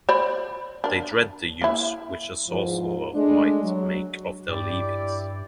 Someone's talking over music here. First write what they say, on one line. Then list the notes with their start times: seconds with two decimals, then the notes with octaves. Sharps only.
They dread the use which a sorcerer might make of their leavings.
0.09 C5 D5 B5
0.84 D4 A#4
1.61 A#3 E4
2.48 E2 G#2 F3
3.15 G#3 A3 D4
3.63 F#3
4.48 G2 E4 G4 D5